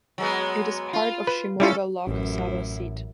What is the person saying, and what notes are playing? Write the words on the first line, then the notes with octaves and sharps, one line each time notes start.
It is part of Shimoga Lok Sabha seat.
F#3 G#3 B3
F4
B4
G3 C#4 E4 F4 A4
A1 F#2 E4